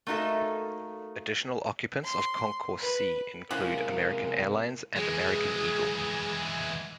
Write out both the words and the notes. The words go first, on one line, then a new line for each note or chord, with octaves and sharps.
Additional occupants of Concourse C include American Airlines and American Eagle.
A3 A#3 D#4 F#4 A4 E5
C6
B4
C3 G#3 C#4 E4 A#4 C5 F5 F#5
E3 G#3 G#4